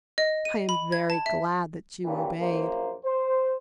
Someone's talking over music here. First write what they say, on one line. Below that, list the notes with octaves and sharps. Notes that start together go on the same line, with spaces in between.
I am very glad that you obeyed.
D#5
D#7
B5
G#6
A5
E5
A#2 C#3 E3 D4 G4
A#1 F#2 A#3 F4 A#4 C5
C5